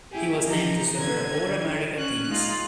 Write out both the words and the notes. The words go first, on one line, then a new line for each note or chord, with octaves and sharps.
He was named to several All-America teams.
E4 G4 G#4
E3 F3 G4 D#5 A#5
D3 G#6
C#4 F#6
G#3 D#4 F4